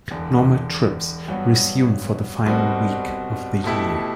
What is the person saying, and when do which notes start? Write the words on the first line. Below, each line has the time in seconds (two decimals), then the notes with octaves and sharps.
Normal trips resume for the final week of the year.
0.11 E1 E2 D3
1.28 G2 F#3 B3 F#4
2.46 C2 B2 G3 C4 F#4
3.64 B2 A3 E4 G4